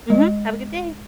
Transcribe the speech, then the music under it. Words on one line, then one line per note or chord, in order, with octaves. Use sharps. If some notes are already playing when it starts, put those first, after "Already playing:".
Mhm. Have a good day.
G#3 D#5